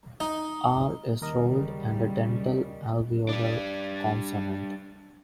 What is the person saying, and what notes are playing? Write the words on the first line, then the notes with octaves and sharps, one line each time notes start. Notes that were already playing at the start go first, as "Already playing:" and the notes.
R is rolled and a dental-alveolar consonant.
D#4
D#2 C#3 G3 A#4 D#5
G3 D4